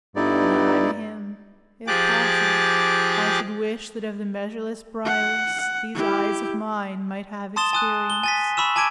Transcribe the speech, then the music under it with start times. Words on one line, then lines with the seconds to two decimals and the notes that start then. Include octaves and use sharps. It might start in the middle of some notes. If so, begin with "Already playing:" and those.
And I to him: "If possible, I should wish That of the measureless Briareus These eyes of mine might have experience."
0.16 G1 G2 D#4 E4 D5
1.87 F3 G4 G#4 D6 F#6 A6
5.05 F#5
5.94 E4 G4
7.56 A5 C6 D#6 A6 E7 G7
7.73 G#5 D#6 F#6
8.10 G7
8.24 G#5 A6 B6
8.57 B5 C#6 E6 E7
8.76 G#5 A5 D6 G#6 D7